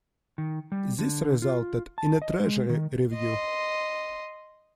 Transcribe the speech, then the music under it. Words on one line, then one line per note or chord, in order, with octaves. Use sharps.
This resulted in a Treasury review.
D#3
G3
D3
F4
A5
D#5
G#3
D#3
D#5 C6